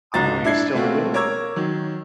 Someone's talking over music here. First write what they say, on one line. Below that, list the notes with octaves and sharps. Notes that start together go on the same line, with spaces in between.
Oh, you still do it?
C#2 G#2 F#4 A#5 A6
D4 E4 G#6 C7
B2 A3 A#3 C4 F4 F#4
A#4 C#5 A#5 D6 E6 G#6
D#3 F#3